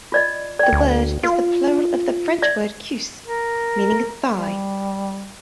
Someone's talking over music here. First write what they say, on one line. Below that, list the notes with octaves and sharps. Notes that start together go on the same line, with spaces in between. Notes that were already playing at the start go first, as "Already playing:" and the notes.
The word is the plural of the French word "cuisse" meaning 'thigh'.
F4 D5 D#5
D5 G5
D2
F4
D5 E5
A#4
G3